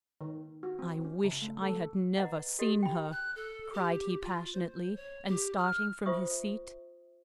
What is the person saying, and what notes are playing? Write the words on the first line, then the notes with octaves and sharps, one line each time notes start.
"I wish I had never seen her," cried he passionately, and starting from his seat.
D#3
F#4
C4
C#4
C#3
A3
A4
B4 D#5 F#5 A#5
F#4 G4 A4 D#5
G5 B5
F#6
A4
G4
F4
C5
C#5
G4
F6
F4 C5 E5 C#6 D#6